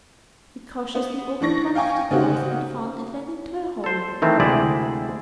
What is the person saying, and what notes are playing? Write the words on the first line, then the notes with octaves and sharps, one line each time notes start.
He cautiously opened one of the doors and found it led into a hallway.
B3 C5
E3 D4 C#6 A#6
F5 G5 G#5 C#6
C#3 C4 D#4 F#4 G4
A4 C5
D#3 E3 A3 C4
D2 C3 G#3 E4 G#4 D5